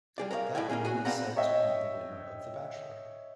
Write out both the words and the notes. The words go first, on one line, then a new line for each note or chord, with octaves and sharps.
That woman is said to be the "winner" of The Bachelor.
G3 G#4 D5
A#4 C#5 D5 F5
A2 E4 D5 G#5
A#3 C4 C#4 G#4
F#4 G#4
B3 C4 D5 F5 F#5 A#5
C#5 D#5 E5 G5